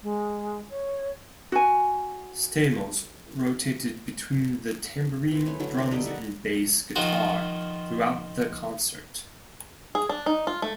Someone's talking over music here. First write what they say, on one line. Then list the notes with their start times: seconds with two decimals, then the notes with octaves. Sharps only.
Stamos rotated between the tambourine, drums, and bass guitar throughout the concert.
0.03 G#3
0.70 C#5
1.52 F#4 G#5
5.31 E3 C4
5.46 A3 C#4 B4
5.59 D3 F#3 D4 E4
5.77 E4 B4
5.91 D3 G3 D#5 A#5
6.06 E4 F#5
6.96 D#3 F3 F4 F#4
9.95 G#4
10.09 D4
10.26 D#4
10.47 F4
10.62 A3